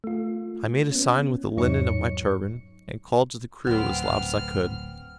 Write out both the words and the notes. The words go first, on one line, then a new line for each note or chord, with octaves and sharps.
I made a sign with the linen of my turban, and called to the crew as loud as I could.
A3 F4
B3 C#4
E2 G#2 F#3 D#4 C#5 C#7
C#7
D1 B3 C4 F6